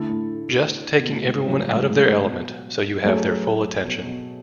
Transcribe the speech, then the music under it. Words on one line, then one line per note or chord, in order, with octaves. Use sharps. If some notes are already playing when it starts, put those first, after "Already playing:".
Just taking everyone out of their element so you have their full attention.
Already playing: D3 A3 E4 A4
A2
B2
A2
G#2
A2 C#3 F#3 C#4
G#2
G#2
A2
A2
B2
F#3 A3 C#4 G#4
B2
B2